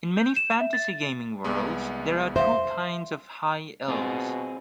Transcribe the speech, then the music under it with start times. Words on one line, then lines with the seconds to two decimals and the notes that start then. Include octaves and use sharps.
In many fantasy gaming worlds, there are two kinds of high elves.
0.16 G6
0.36 E7
0.61 E5
0.73 A6
1.44 C2 G#3 B3
2.36 C5 E5 F5
3.88 B2 C4 F4 G#4